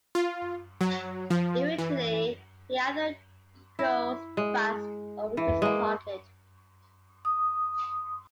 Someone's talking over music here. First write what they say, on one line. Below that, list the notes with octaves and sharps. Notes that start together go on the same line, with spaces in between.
Eventually he either goes bust or reaches his target.
F4
F#3
F3
E3
E4
G#3
E3
G#3 A#3
D#6